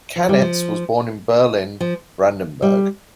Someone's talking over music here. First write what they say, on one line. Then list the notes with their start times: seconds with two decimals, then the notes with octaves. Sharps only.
Canitz was born in Berlin, Brandenburg.
0.16 F3
0.29 G3
0.41 F3
1.80 F3
2.62 G3